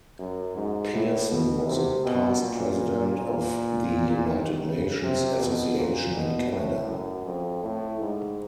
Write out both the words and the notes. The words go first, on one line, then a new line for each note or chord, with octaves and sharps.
Pearson was a past president of the United Nations Association in Canada.
F#2
G#2
A2
B2
C3
B2
A#2
A#2
D#3
C#3
C3
B2
A#2
B2
A2
F#2
F2
A2
G#2